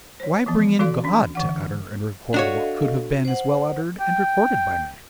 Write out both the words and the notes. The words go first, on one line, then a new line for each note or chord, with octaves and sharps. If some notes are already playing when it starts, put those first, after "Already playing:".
Why bring in God to utter and record what could have been as well uttered and recorded by man?
C5 C#5
E3 F3 B3
E3 F#4 A4 D5 F5 C6
C#4 D4
D3 E3 F#5
D4 F#4 A4 C#5 D#5 F5
C5 F#5
G5